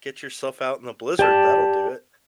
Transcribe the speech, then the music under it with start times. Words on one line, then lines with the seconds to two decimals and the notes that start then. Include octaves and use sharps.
Get yourself out in a blizzard, that'll do it.
1.19 G4 D5 A5